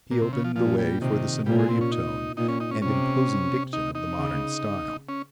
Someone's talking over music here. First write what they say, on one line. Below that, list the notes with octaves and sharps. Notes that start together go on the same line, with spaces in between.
He opened the way for the sonority of tone and imposing diction of the modern style.
A#2
C3
C#3
F3
A#2 F3
G3
C3 D#3
A#2 G3
G#3
C4
C#4
D#4
A#2 D#4
C#4
D#4
C#4
C3 C#4
D#4
D#4
C#3
C#4